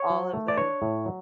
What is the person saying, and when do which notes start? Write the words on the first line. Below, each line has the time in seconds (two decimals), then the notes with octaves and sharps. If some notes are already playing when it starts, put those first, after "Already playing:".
All of tho
Already playing: C#5
0.10 F#3
0.34 A3
0.48 D5
0.57 D4 C#5
0.82 A2
1.06 F#3